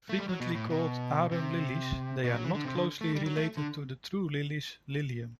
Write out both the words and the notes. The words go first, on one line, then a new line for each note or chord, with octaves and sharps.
Frequently called "arum lilies", they are not closely related to the true lilies "Lilium".
A3
G3
F#3
B2
A2
B2
C3
B2
F#3
E3
D3
C3
D3
A3
G3
F#3
A3
D3